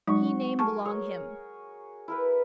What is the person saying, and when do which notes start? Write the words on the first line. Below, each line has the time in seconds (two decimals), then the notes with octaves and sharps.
He name belong him.
0.07 F#3 G#3 D#4 F#4 C#6
0.59 G#4 A#4 A5 C#6
0.86 G#4 C#5
2.08 E4 A#4 B4